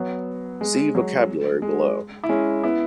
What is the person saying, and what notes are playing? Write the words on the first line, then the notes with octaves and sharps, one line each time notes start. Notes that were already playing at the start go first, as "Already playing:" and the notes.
See Vocabulary below.
Already playing: F#3 B3
G#3
F#3
G#3
E4
G#3 C#4
B3 E4